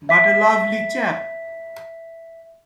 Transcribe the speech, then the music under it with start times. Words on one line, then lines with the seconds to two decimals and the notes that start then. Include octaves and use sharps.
But a lovely chap!
0.09 E5 B6